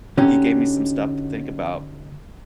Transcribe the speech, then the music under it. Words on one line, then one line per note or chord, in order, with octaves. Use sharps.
You gave me some stuff to think about.
D3 C#4 D#4 F#4 G4